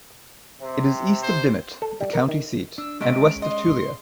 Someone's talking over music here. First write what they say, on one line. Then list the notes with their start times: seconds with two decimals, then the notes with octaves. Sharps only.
It is east of Dimmitt, the county seat, and west of Tulia.
0.61 C3
1.23 C5
1.82 A4
2.01 G3
2.13 A#4
2.28 D#3
2.78 D4 E6
3.01 C3 G#3 A3 C#4 D#5 D7
3.42 D#5 C6